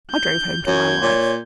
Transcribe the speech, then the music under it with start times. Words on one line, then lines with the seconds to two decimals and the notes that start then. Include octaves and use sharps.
I drove home to my wife.
0.12 G6
0.67 F#2 C#5 G6 G#6
1.02 A#2 C#5